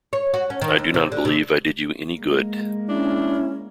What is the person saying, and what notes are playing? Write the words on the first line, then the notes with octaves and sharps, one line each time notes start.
I do not believe I did you any good.
C#5
F#4
C#4
D#3
D#2
C3
D3
C3
G#3 A#3
C#4 D4 E4